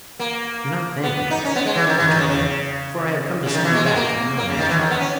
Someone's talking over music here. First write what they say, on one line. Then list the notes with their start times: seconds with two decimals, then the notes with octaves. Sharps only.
"Do not thank me," returned the knook, "for I have come to send you back to the millinery shop."
0.19 A#3
1.03 B3
1.17 B3
1.31 D#4
1.45 C#4
1.55 B3
1.65 G#3
1.76 E3
1.87 D#3
1.98 E3
2.08 D#3
2.18 C#3
2.29 C#3
3.45 C#3
3.54 D#3
3.64 E3
3.75 G#3
3.85 G#3
3.96 A#3
4.37 A#3
4.48 C#3
4.58 D#3
4.69 E3
4.79 D#3
4.90 B3
5.00 C#4